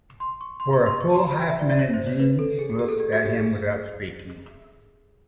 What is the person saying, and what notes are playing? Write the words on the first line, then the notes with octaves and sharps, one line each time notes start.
For a full half minute Jeanne looked at him without speaking.
C6
C#6
C6
C#6
C6
C#6
C6
B5
G5
E5
D5
D5
C#5
C5
C#5
B4
A4
G#4
G#4
G4
A4
G4
F#4
G4
G#4